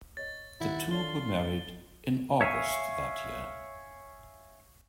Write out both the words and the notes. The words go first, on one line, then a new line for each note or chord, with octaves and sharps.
The two were married in August that year.
C#5 D#5 A6
D#2 E4 F#5
D4 F4 A4 C#5 C6 G7
C#5 E5 F5 G#5 C#6